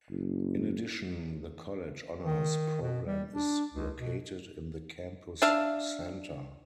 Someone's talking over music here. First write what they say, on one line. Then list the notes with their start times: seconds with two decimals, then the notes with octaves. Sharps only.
In addition, the College Honors Program is located in the Campus Center.
0.11 F#1
2.25 D#3
2.81 B2
3.07 G3
3.35 D4
3.74 C#2
3.98 B2
5.42 D4 E5 F5